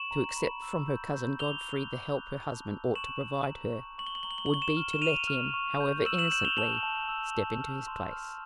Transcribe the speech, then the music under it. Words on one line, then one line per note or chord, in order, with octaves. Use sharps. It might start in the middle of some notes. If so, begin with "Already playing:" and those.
To accept from her cousin Godfrey the help her husband ought to provide her, would be to let him, however innocently, step into his place!
Already playing: C#6 E7 F#7
A#5
B5
E6
G6
G6
D6 F7 G7
F#6
D6
F#6
A5
E6
C#6 E7 F#7
C#6
A#5
C#6
C#6 F#7
G7
F#7
A#5 G7
F#7
G7
F#7
C#6 G7
E7 F#7
F6
E7
F6 D#7 F7
F6
C#6
G6
E6 E7 F#7
E7 F#7
G6 E7 F#7
F7 G7
A5 E7 F#7
A5
E6
A5
F6
C6
F6